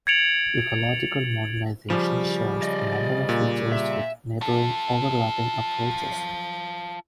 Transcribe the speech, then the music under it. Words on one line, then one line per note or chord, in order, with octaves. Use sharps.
Ecological modernization shares a number of features with neighbouring, overlapping approaches.
G#6 A6 C#7 D7 F7 F#7
C#3 F3 G3
D5 D#5
A#2
E5
F4 A4